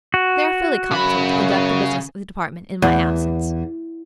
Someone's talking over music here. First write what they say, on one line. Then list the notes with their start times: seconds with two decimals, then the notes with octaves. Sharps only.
They are fully competent to conduct the business of the department in my absence.
0.14 F#4
0.91 F#2 C#3 B5
2.82 E2